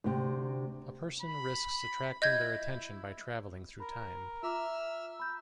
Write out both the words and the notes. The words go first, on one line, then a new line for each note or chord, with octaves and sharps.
A person risks attracting their attention by travelling through time.
D2 C3
B5
E4 D#5 G6 G#6
A#4 B5
F4 E5 A#5 D6 E6 F6
B5 G6